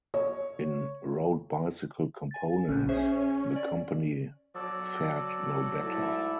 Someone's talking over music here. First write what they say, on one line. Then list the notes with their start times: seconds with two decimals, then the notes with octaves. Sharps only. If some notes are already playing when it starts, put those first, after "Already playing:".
In road bicycle components, the company fared no better.
0.14 C#5
2.31 G#5 A6
2.69 A#1 C#4 F#6 G6
2.89 C#4 G#4 C5 E5
3.56 D5
4.55 F#3 A4 D5
5.81 G#2 A3 E4